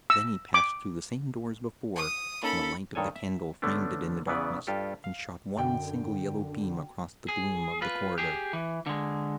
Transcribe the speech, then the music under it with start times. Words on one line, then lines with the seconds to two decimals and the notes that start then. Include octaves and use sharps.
Then he passed through the same door as before, and the light of the candle framed it in the darkness and shot one single yellow beam across the gloom of the corridor.
0.10 E6
0.54 D6
1.97 D#6
2.43 A#3 C#4 D#4 A4 B5
2.95 G2 D#3 A4 C#5 G#5
3.16 E5
3.62 D3 A3 B3 C#4 D4
4.27 E2 C#3 E3 B3 B4 D5
4.67 G2 F4 G4 A4
5.04 F5
5.57 F#2 D3 F#4 G5
7.29 G#4
7.82 F4 B4
8.18 G4 G#4
8.53 E3
8.86 D3 G#3